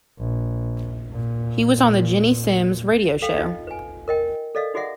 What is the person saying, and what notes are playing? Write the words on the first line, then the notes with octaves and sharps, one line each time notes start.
He was on the Ginny Simms radio show.
A#1
A#2
A4 F5 G5
D#4 F4 D#5
B4 G#5
A#4 D#5 G5
A4 D5 D#5 F5
D#4 F#4 G#4 D5 E5 F#5